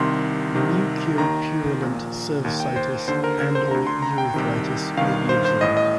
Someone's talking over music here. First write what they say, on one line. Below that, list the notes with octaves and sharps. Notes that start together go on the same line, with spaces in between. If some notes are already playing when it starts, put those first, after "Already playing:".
Mucopurulent cervicitis and or urethritis may be observed.
Already playing: C2 C3 D#3 C6
C2 C3 D#3
D#2 D#3 A#5
A#1 A#2
D#2 D#3
G5
C5
D#2 D3 C5
A#4
A#4
C5
D2 D3 A#5
C6
A#5
G5
C2 C3 D#3
G1 G2 D#3 F5
C5
C5
A1 A2 D#5
D#5